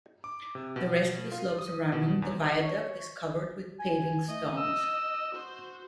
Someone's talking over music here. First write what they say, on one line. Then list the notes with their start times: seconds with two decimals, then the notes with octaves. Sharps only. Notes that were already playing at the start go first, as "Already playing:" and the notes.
The rest of the slope surrounding the viaduct is covered with paving stones.
0.24 D6
0.55 C3
0.76 B2
1.32 F4
1.59 D#6
1.92 B2
2.22 E2
2.61 C#5
3.79 G#5
4.28 A3 D#5
4.57 E6
5.32 F#4 C5